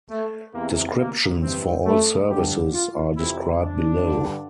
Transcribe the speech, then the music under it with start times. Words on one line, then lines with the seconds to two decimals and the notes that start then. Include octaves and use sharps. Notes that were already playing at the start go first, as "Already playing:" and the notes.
Descriptions for all services are described below.
0.09 A3
0.53 E2 C3 E3 A#3
0.97 A#3
1.41 G2 E3 C4
1.85 A3
2.29 G2 D3 G4
2.73 F4
3.16 F2 C3 E3 E4
3.61 D4
4.04 G2 D3